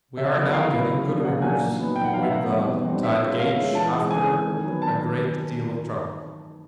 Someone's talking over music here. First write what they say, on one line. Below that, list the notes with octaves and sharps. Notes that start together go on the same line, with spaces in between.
We are now getting good records with the tide gauge after a great deal of trouble.
C#3 E5
F#3 B3 E4
C#3 F5
F#3 B3 E4
C#3
F#3 A#3 D4
C#3 F#5
F#3 A#3 D4 G#5
A#2
F#3 B3 D#4
A#2 G5
F#5
F#3 B3 D#4 F5
E5
B2 F#5
G3 C4 D#4
B2
G3 C4 D#4
B2 E5
G#3 C#4 F4
B2 F5
G#3 C#4 F4
E3 A5
G#3 C4
E3 G#5
G#3 C4
D#3
F#3 B3
D#3 A5